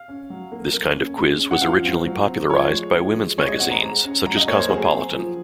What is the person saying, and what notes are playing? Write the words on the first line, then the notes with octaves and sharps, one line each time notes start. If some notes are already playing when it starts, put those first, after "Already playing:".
This kind of "quiz" was originally popularized by women's magazines such as "Cosmopolitan".
Already playing: F5
C#4
F#3
A#3
A#3
C#4
G#3
C#4
F#5
F3 F5
C4
F#3
C4
F3 C#5
G#3
F3
G#3
G#3 C#5
D#5
C4 F#5
A#5
G#3 A#5
C#4
F#3 A#5
D#5
A#3 C#5
C5
F#3 G#4
C4
F3